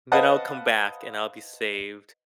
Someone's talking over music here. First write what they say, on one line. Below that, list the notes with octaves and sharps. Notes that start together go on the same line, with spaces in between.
then I'll come back and I'll be saved.
B4 C5 D#5 F5 F#5 A5